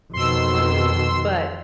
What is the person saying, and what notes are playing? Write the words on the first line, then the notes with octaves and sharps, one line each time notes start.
true, but,
F2 B2 D#3 C6 E6